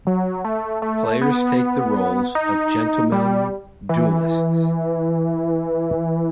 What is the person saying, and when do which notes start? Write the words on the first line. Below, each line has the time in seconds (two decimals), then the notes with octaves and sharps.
Players take the roles of gentlemen duellists.
0.07 F#3
0.45 A3
0.82 A3
1.21 B3
2.35 D#4
3.12 G3
3.89 E3